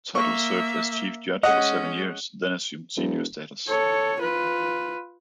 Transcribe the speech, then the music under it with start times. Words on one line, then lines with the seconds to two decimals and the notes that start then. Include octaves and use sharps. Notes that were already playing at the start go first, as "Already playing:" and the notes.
Tuttle served as chief judge for seven years, then assumed senior status.
0.15 A#3 E5 C#6
1.43 G#3 C#4 D#5 F#5
2.97 E1
3.68 A4 C#5
4.20 F4 B4